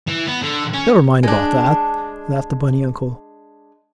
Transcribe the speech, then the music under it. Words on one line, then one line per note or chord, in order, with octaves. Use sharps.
"Never mind about that," laughed the bunny uncle.
E3
B3
D3
C#4
G#3 D4